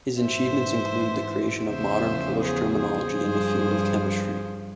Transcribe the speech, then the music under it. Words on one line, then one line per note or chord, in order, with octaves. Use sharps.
His achievements include the creation of modern Polish terminology in the field of chemistry.
G#2 E3 C5 E5
E2 C#3 F3 C5 E5
G#4 C5
G#4 C5
G2 F3